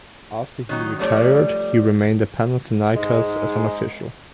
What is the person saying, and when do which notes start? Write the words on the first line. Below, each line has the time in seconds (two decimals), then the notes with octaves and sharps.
After he retired, he remained in Panathinaikos as an official.
0.69 D#3 F#3 D#4
0.99 F3 G3 A3 C#5 D5
2.96 G#2 G#3